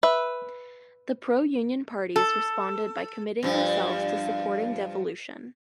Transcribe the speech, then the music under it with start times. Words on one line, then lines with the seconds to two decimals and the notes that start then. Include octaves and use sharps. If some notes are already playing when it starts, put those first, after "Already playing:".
The pro Union parties responded by committing themselves to supporting devolution.
0.03 B4 E5
2.16 A4
3.43 G2 F3